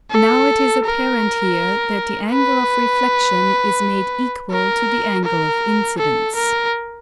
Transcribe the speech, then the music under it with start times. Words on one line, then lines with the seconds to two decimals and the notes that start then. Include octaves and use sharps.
Now it is apparent here that the angle of reflexion is made equal to the angle of incidence.
0.11 A4
0.85 A#4
2.31 B4
4.51 A#4
5.24 A#4
5.98 A4
6.35 A#4